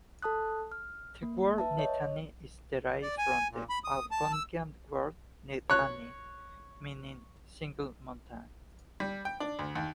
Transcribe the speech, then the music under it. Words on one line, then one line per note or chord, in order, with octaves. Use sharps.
The word "Nittany" is derived from the Algonquian word "Nit-A-Nee" meaning "single mountain".
A4 A5 D#6 F#6
F6
A#3
B4 E5 A5
C#5 D#5
D5
G#5
A#2
B5
D#6
A5
E6
C#5 F#6
G3
G5
D4
D2
D#2